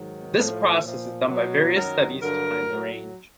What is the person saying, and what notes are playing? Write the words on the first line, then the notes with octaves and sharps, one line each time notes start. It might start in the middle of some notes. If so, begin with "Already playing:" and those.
This process is done by various studies to find the range.
Already playing: G#2 D#3 F#3
A2 F3
A#2 F3
B2 F#3
F#2 D#3 F#3 A#4
G2 D3 F#3 A#4
A2 F#3